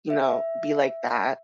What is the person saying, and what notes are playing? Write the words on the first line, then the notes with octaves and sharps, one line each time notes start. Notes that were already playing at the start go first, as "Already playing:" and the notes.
you know, be like that,
E5